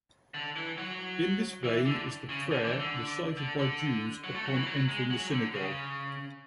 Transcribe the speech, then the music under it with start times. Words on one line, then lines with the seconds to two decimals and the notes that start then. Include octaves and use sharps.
In this vein is the prayer recited by Jews upon entering the synagogue.
0.34 D3
0.56 E3
0.78 F#3
1.64 E3
1.85 D3
2.29 C#3
2.51 D3
2.64 E3
2.79 D3
3.37 D3
3.59 D3
4.24 F#3
4.34 A3
4.45 F#3
4.56 E3
4.67 F#3
4.89 G#3
5.10 F#3
5.31 D3
5.54 C#3